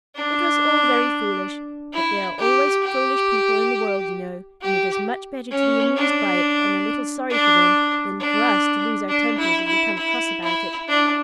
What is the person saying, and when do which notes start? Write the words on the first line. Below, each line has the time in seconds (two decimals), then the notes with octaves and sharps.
It was all very foolish, but there are always foolish people in the world, you know, and it is much better to be amused by it and a little sorry for them, than for us to lose our tempers and become cross about it.
0.15 D4
1.93 E4
2.39 G4
2.82 G4
4.62 G4
5.51 C#4
5.96 D4
7.30 D4
8.20 D4
9.08 D4
9.38 E4
9.67 E4
9.98 E4
10.43 E4
10.88 D4